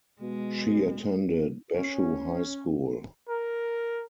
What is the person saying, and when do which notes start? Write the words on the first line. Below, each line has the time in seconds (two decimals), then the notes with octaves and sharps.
She attended Bashu High School.
0.21 B2 G#3
1.73 C#4
3.29 A#4